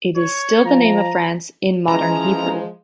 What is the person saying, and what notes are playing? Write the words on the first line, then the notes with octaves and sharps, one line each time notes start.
It is still the name of France in Modern Hebrew.
C#5
F3 A#5
E3 F3 G#3 C#4 A#5